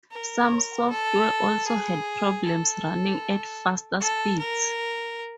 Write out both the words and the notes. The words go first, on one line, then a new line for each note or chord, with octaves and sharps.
Some software also had problems running at faster speeds.
A#4
A4
G#4
A4
A4
A#4